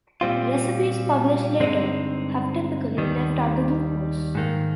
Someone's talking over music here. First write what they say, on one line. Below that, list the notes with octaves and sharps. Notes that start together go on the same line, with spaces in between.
Recipes published later have typically left out the glucose.
A#2 G3 C4 F4
G2 D3 G#3 C4 D#4
D#2 D#3 G3
G#2 D#3 A#3